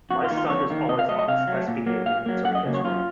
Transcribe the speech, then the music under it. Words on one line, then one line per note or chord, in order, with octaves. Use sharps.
My son is always on his best behaviour until he gets home.
F2 F#4
F4
D#3 A#3
F4
F2 C#5
D#3 A#3
C3 D#5
F5
F#3 A3 D#5
D#5
C3 F5
F#3 A3
A#2
F#3 A#3
A#2 F5
F#3 A#3
F#2 F#5
D#5
C#3 F#3 A#3
C#5
F#2 F4